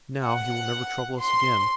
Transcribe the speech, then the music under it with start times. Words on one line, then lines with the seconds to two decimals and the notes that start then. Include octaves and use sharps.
Now he will never trouble us again.
0.25 F#5
1.21 C6